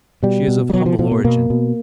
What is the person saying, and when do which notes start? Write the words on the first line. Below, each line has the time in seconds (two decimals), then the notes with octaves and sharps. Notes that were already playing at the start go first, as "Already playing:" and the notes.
She is of humble origin.
0.23 B2 G3
0.48 B2
0.70 G3
0.73 B2 F#3
0.86 F3
0.99 B2 F3
1.11 A#3
1.25 B2 A#3
1.50 B2